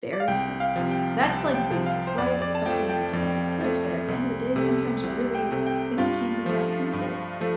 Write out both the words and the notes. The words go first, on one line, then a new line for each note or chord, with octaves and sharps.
Very simple. That's, like, basic, right, especially when you're dealing with kids, but at the end of the day, sometimes, really, things can be that simple,
D5
F5
C2 G5
F5
C3 F3
G5
C2 A5
G5
C3 F3
F5
C5
F2 D5
D5
A5
F3 A3 G5
G5
F2 D5
F3 A3
C2
C3 A3
C2
G5
C3 A3
G5
G2 F4
F3 A3
G2
F3 A3